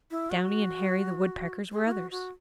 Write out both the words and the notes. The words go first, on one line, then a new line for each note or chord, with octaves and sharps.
Downy and Hairy the Woodpeckers were others.
E4
F#4
G#4
E4
F#4
F#4